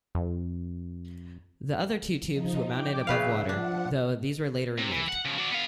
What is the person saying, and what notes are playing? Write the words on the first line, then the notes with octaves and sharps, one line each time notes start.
The other two tubes were mounted above water, though these were later removed.
F2
F3 D#4
G5 D6
C#3 B4 E5 F5
F3 D4 F#5
C3
E3
F#5
C#3 F3
F#4 D5
B3 F5